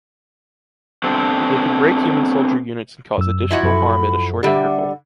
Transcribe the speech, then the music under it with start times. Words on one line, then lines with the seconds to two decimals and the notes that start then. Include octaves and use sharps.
They can break human soldier units and cause additional harm at a short interval.
1.04 B3 C4 D4 G4 A4 C5
3.18 F#2 E6
3.51 F3 E4 F#4 D#5
3.63 F#2 A4 B5
4.43 D3 G3 G4 E5 F#5